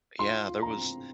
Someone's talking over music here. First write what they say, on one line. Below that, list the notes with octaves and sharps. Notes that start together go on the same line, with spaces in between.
Yeah, there was
F4 C6
F4
A#5
C4